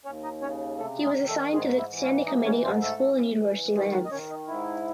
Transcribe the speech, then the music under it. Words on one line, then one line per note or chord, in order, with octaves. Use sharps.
He was assigned to the standing committee on school and university lands.
D#2 C#4 C#5
D#4 D#5
C#3 C#4 C#5
C3 A3 A4
G#3 G#4
D#3
A3 A4
G#2 G#3 G#4
E4
E3
C#4 C#5
G#2 D#4 D#5
C#4 C#5
G#2 C4 C5
A3 A4
E3
E3
D#3 G#3 G#4
F#3 F#4
D#5
D#3 C#4 C#5
D#4
G#2 E4